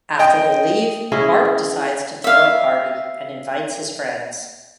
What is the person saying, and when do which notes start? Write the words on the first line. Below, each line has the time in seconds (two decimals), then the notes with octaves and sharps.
After they leave, Bart decides to throw a party and invites his friends.
0.19 D#5 G5
1.12 C#4 E4 G#4 D#5
2.24 E5 F5